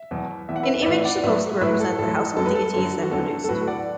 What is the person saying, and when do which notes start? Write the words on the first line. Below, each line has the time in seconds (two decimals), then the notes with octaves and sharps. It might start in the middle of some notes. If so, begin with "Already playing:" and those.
An image supposed to represent the household deity is then produced.
Already playing: E5
0.11 E2 B2 F#3
0.49 E2 E3 E5
0.56 F#5
0.63 B4 E5
0.82 D5
0.86 A2 E3 B4 E5
1.05 D5 F#5
1.24 A2 F#3 B4 E5
1.61 A2 F#3 B4 E5
1.80 A4
1.98 A2 F#3 A4
2.36 F#2 F#3 A4
2.46 B4
2.55 A4
2.74 F#2 D3 F#3
3.02 F#4
3.11 E2 D3 F#3 A4
3.44 A4
3.49 A2 F#3 F#4 B4
3.68 D5 F#5